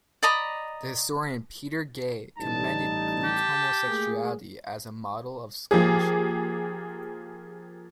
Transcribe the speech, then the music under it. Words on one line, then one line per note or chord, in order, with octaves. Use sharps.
The historian Peter Gay commended "Greek Homosexuality" as a "model of scholarship".
D5 D#5 A#5 B5
A1 G3 D#4 A5
G4
A3 A#3 G#4
F3 A#3 G4 G#4